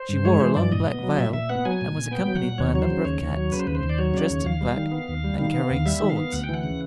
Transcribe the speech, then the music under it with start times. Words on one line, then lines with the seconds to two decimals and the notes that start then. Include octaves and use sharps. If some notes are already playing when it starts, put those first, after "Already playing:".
She wore a long black veil, and was accompanied by a number of cats, dressed in black, and carrying swords.
Already playing: C5
0.09 G2
0.25 G#3 C#5
0.40 E3 C5
0.56 G2 D5
0.72 A#2 D#5
0.88 B3
1.03 F#3
1.18 A#2 E5
1.33 A#2 E5
1.49 B3 F#5
1.65 F#3 G#5
1.81 A#2
1.97 A#2
2.11 B3 G5
2.27 F#3
2.35 F#5
2.42 A#2
2.58 D#2 C#5
2.74 F#3 C#5
2.82 C5
2.90 C#3
3.05 D#2 C#5
3.22 D#2
3.37 F#3
3.52 C#3 B4
3.59 C5
3.67 D#2 B4
3.75 C5
3.83 D#2
3.89 D5
3.98 F#3 C#5
4.14 C#3 D5
4.22 C#5
4.30 D#2
4.45 D#2 F5
4.61 G3
4.76 D#3
4.92 B3
5.08 D#2
5.24 G3
5.39 D#3 F5
5.54 B3
5.70 D#2
5.86 G3 E5
6.01 D#3
6.10 F5
6.17 B3
6.33 D2 F#5
6.44 G5
6.49 E3 F#5
6.63 C#3